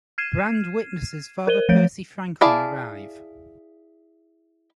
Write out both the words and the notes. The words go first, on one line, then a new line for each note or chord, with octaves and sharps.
Brand witnesses Father Percy Franklin arrive.
F6 G#6 C7 D#7 E7
A#4 C5 D#7 G7
F3 A3 C#5 G6 D7
E4 G#4 D5 F5 A5